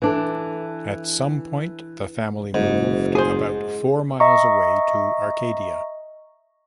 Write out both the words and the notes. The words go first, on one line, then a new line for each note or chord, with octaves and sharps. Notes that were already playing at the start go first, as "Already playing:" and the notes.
At some point, the family moved about four miles away to Arcadia.
E3 D4 A4
F#1 G#2
G#4 C5
D#5 E5 A#5 C#6